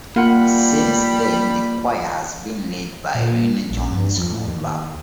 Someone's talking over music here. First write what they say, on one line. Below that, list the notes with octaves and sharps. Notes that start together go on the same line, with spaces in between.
Since then the choir has been led by Rainer Johannes Homburg.
G3 A#3 F4 F#5 B5
A#2
A#1
G2
F2
A2
D#2